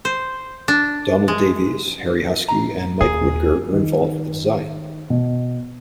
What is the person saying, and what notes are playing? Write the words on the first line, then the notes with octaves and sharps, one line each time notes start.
Donald Davies, Harry Huskey and Mike Woodger were involved with the design.
C5
D4
G#3
A#5
D#2 G#4
D#3
B2